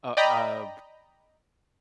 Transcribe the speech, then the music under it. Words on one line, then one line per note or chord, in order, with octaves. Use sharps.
Oh, uh,
D5 D#5 G5 A#5 B5